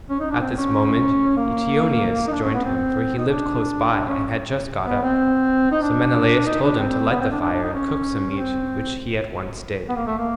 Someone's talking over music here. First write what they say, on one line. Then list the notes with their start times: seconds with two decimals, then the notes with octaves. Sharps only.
At this moment Eteoneus joined him, for he lived close by and had just got up; so Menelaus told him to light the fire and cook some meat, which he at once did.
0.10 C#4
0.20 D#4
0.31 D4
0.41 C4
0.57 C#4
1.37 A#3
2.28 D#4
2.32 D4
2.43 C#4
2.54 B3
2.65 C4
3.18 D#4
3.28 D4
3.92 D4
4.07 C#4
4.87 B3
5.03 C4
5.72 D#4
5.82 D4
6.46 D#4
6.62 D4
6.78 C4
7.10 B3
7.21 C4
7.31 D4
7.41 D4
7.52 D4
7.63 D#4
7.74 C#4
8.31 C#4
8.37 C4
9.89 B3
9.96 A#3
10.07 A3
10.18 A#3